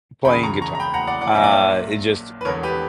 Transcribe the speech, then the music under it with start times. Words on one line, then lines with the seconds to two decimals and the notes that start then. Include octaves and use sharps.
playing guitar. Uh, it just
0.25 E1 E2 C#3 G5 B5
0.43 A#5 C#6
0.62 A#5 C#6
0.75 A#5
0.80 G5 B5
0.94 F#5 A#5
1.07 D5 F#5
1.21 D5 F#5
1.35 A#1 A#2 F#3 E5
1.43 D5
1.51 C#5 E5
2.41 B4
2.45 E1 E2 D3 A#4 C#5
2.63 G4 B4